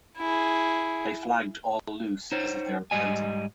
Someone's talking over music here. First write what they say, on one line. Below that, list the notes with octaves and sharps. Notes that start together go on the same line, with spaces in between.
They flagged all loose, as if they were panting.
E4 G#4
D#4 C5 C#5
G#2 G3 D#5 G#5